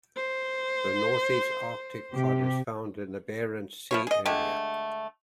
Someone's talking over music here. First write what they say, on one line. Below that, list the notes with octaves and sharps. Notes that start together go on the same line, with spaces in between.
The Northeast Arctic cod is found in the Barents Sea area.
C5
C3 G4
F3 E4 C#5
G#4 D#5
D3 G#3 A3 G4